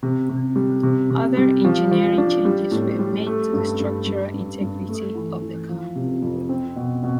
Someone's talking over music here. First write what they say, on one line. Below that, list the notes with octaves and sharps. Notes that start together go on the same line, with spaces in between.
Other engineering changes were made to the structural integrity of the car.
C3
C3
G3
C3
C3
G3
F3
F3
D4
G3
A2
G3
A3
G2
G2
G3
G2
G2
A3
E3
E3
F3
C3
F2
C4
B2
B2